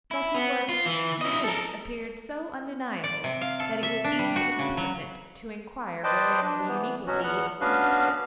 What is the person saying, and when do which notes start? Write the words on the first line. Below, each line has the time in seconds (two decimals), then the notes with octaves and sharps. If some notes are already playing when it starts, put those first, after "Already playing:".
That he was unique appeared so undeniable, that it was deemed impertinent to inquire wherein the uniquity consisted.
0.11 E4
0.35 B3
0.69 F4
0.86 E3
1.21 E4 D#5
1.44 A4 A#4
3.04 D5
3.24 C3
3.41 F5
3.60 A4
3.83 E5
4.04 D4
4.19 G3
4.36 F#4
4.59 C#3
4.77 F#3
6.04 B4 C5 D5 D#5 G5 A5
6.42 D4
6.68 E3 B3
7.07 B2 F#3 C#4 F#4
7.24 E2 B3 F#5
7.61 B3 C#4 D4 F#4 B4 F5